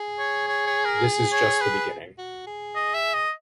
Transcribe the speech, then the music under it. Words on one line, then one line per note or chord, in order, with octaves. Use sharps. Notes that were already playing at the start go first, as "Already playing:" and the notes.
This is just the beginning.
Already playing: G#4
C#5
C#5
C#5
A#4
C#5
B4
F#4
G#4
D#5
E5
D#5